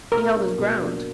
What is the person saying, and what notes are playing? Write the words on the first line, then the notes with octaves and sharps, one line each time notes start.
He held his ground.
B2 A#4
A#3 D4
B2
A#3 D4